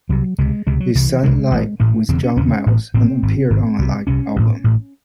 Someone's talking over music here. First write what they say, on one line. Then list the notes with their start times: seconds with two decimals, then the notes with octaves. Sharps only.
They sang live with John Miles and appeared on a live album.
0.09 C2 C3 F#3
0.38 C#2 C3 G#3
0.67 C#2 C3 G#3
0.80 F#3
0.95 C2 C3 E3
1.23 C2 C3 G#3
1.51 A1 A2
1.80 A1 A2 A3
2.08 E1 E2 C#3 C4
2.23 C#4
2.36 E1 E2 C#3 C#4
2.66 A1 A2
2.94 A1 A2 C4
3.23 G#1 G#2
3.50 G#1 G#2
3.79 C2 C3
4.07 C2 C3 C#4
4.36 A1 A2
4.64 A1 A2